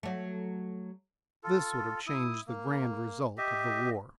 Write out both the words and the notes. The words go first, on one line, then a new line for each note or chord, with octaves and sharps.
This would have changed the grand result of the war.
F#3 A3
F4 A4
E4 D#6
A#3
G4 D#5 E5